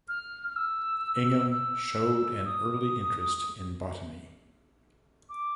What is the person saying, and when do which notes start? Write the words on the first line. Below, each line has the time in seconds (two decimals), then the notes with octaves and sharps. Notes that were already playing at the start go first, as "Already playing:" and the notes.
Ingham showed an early interest in botany.
0.09 F6
0.48 F6
0.56 E6
1.51 E6
2.45 D#6
5.29 D6